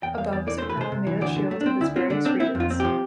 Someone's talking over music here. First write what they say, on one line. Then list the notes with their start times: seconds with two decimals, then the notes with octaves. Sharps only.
Above is a crown made of shields of its various regions.
0.03 E2 G5
0.17 E2 F5
0.32 E2 D5
0.47 E3 D5
0.58 A3 C5
0.70 B4
0.77 C3 C5
0.92 C3
1.07 E3
1.21 D2 D5
1.36 D3
1.51 A3
1.61 D4
1.66 C4
1.81 D2 E4
1.96 C4 F4
2.10 D3 D4
2.25 C4 D4
2.40 C4 E4
2.55 F2
2.60 F4
2.70 C4
2.80 F3 G4